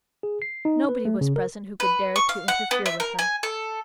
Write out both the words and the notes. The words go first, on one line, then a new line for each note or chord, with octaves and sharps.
Nobody was present who could dare to interfere with her.
G#4
C7
D#4
B4
A3
C#3
A#4
B4
C#6
F5
F#5
B3
E5
A#4
G#5
A4